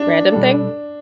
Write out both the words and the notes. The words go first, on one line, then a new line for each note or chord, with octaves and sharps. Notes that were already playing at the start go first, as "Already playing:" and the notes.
random thing?
Already playing: D4
B2 G3 D4 A4